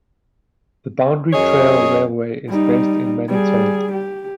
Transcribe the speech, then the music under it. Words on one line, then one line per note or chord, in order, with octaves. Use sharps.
The Boundary Trail Railway is based in Manitou.
F#2 G#4 C#5 D#5
G3 D#4
G3 G#4
G4